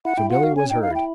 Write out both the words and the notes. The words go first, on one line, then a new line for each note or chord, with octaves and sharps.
So Billy was herd.
E4 F#5
E4 G5
F4 F#5
F#4 F5
C#4 G#5
D#4 G5
F5
E4 G5